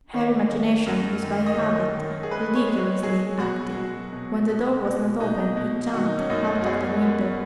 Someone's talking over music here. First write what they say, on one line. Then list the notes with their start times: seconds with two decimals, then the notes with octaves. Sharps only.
Her imagination was by habit ridiculously active; when the door was not open it jumped out of the window.
0.13 D#3 C#5
0.50 D#3
0.86 F#2
1.23 D#3
1.46 D#5
1.58 D#3 C#5
1.95 D#3
2.23 G#4
2.31 G#3 B4
2.55 C#5
2.68 G#3
2.79 C#5
3.03 F#3 G#4
3.39 B2 F#4
3.75 F#3
4.13 B2
4.49 B2
4.84 B2
5.20 B2 D#4
5.57 B2
5.93 D#3 F#4
6.05 D#4
6.18 C#4
6.30 F#2 D#4
6.61 F#4
6.65 B3 G#4
7.02 B3